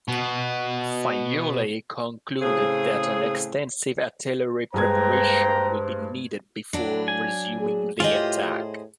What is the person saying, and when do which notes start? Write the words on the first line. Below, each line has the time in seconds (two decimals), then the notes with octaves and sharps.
Fayolle concluded that an extensive artillery preparation would be needed before resuming the attack.
0.08 B2 B3
2.42 A2 C#3 C4 G#4
4.74 G2 G#3 A#3 B4 C5 G5 A#5 G#6
6.73 F#3 D4
7.08 G#5
7.60 G#4
8.00 A2 F4 G4 G#4 C5 D#5